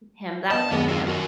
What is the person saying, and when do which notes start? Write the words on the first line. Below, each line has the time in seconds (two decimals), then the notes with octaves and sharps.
him that way, you know?
0.51 B3 D#5 A5
0.72 F#1 D#2 G#3 B3
0.89 C4 F4
1.07 F#4 A#4